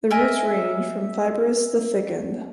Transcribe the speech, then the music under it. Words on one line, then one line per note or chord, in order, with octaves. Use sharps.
The roots range from fibrous to thickened.
A#4 D#5 E5 G#5